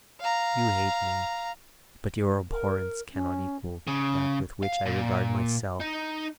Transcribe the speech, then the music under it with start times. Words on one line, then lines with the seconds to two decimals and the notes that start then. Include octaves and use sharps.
You hate me, but your abhorrence cannot equal that with which I regard myself.
0.21 F5 A#5
2.51 A#4
3.14 C#4
3.87 C#3
4.63 F5
4.86 A#2
5.80 D#4